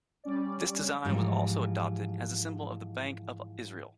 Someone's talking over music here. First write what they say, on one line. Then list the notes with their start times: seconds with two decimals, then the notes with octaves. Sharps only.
This design was also adopted as the symbol of the Bank of Israel.
0.24 G3 C#4 D5
1.05 G#2 E3 F3 G3